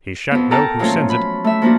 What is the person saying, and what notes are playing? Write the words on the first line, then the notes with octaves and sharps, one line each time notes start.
'He shan't know who sends it.
F2 B3
A4 A#4 F#5 G5 A5 A#5
A#2 F3 F#3 A3 C#4 F4
B5
A3 E5
F3 A#3 D4 F#4